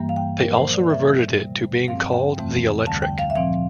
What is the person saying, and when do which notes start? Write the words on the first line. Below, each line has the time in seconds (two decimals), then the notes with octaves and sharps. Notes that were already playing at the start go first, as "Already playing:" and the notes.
They also reverted it to being called the Electric.
Already playing: G2 E3 G3 A#3
0.09 F5
0.16 G5
0.40 A#2 F3 A#3 A#4
0.57 C5
0.73 D5
0.90 A#2 G3 A#3 E5
1.39 D2 C3 G3
1.88 G2 F3 C4 F5
2.13 G5
2.37 F2 C3 E3 A3 C4
2.87 D2 D3 G3 A5
3.02 G5
3.19 F5
3.30 E5
3.35 A#2 F3 C4 F5